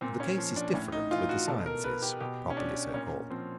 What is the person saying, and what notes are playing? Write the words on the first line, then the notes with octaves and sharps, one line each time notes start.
The case is different with the sciences, properly so called.
A#2 C4
C#4
F3
D4
A2 C#4
D#4
E3 F4
F#4
B2 A4
A#4
B4
G4
B2 G4
C#4
D4
A#2 C#4
F3 C4